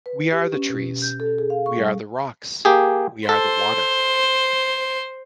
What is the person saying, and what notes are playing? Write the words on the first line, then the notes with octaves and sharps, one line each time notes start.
We are the trees, we are the rocks, we are the water.
B4
G4
C#4
B2
G6
A4
G#4
F5
C#6
G3
A#3 G4 G#4
A4 C5